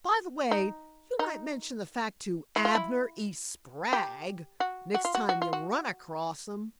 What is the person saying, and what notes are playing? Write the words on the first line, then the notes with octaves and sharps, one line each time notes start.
"By the way, you might mention the fact to Abner E. Spragg next time you run across him."
D#4
D#4
E4
F4
E4
G4
F#4
F#4
F4
F#4
F#4
F4
F#4